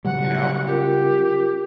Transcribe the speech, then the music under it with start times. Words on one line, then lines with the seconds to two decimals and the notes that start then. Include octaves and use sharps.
you know?
0.05 C#3 F#3 G3 F#5
0.66 C#4 F4 G4 A#4